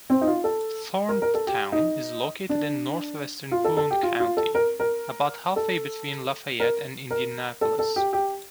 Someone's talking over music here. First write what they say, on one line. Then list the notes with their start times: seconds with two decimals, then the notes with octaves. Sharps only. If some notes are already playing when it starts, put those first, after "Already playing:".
Thorntown is located in northwestern Boone County, about halfway between Lafayette and Indianapolis.
0.10 C4
0.21 D#4
0.27 F4
0.44 A4
1.09 A#4
1.22 A#4
1.34 A4
1.47 G4
1.72 D#4
2.49 D4
3.52 F4
3.64 A4
3.77 A4
3.91 G4
4.03 F4
4.20 F4
4.37 A4
4.55 A#4
4.80 A#4
5.56 A4
6.60 A#4
7.11 A#4
7.61 A4
7.79 A4
7.96 G4
8.13 G4